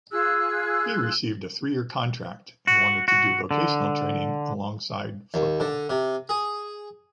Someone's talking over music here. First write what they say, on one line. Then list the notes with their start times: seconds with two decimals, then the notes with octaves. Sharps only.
He received a three year contract and wanted to do vocational training alongside football.
0.11 F4 G#4 E6 F#6
2.67 F#4
3.08 F#4
3.51 D3
5.34 D#2
5.60 D3
5.90 C3
6.29 G#4